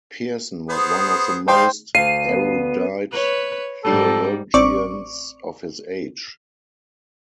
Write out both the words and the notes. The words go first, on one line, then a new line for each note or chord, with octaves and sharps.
Pearson was one of the most erudite theologians of his age.
B3 G#4 C5
G3 D#4 C5 F5 G5 C6
D2 F5 C7 D#7
B3
B4 C#5
G#2 G3 A4
A1 C4 D5 C#6 D6